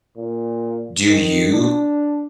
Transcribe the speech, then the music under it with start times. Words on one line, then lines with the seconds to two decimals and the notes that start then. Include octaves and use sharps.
do you
0.16 A#2
1.09 D#3
1.53 D4